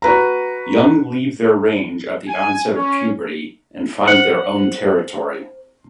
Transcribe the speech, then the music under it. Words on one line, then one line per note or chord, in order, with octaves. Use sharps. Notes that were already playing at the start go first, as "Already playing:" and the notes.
Young leave their range at the onset of puberty, and find their own territory.
F#4 B4 A#5
G#5
C#4
C5 F#5